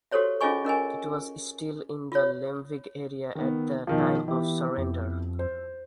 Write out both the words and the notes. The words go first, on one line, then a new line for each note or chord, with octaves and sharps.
It was still in the Lemvig area at the time of surrender.
F#4 G4 A4 C5 C#5 E5
C#4 F4 G#4 D#5 G#5 C#6
C#4 A#4 D#5 G#5
F4 C#5
D#3 B3
B1 D#3 F3
E3 B3 E4 G4
F2
C5